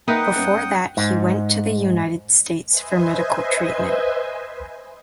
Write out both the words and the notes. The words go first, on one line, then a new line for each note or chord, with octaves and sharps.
Before that he went to the United States for medical treatment.
A#3 D#4 A#4 B4 E5 F#5 G5 D#6
G2 B3 C#4
G#2
B4 C5 D#5 E5 G#5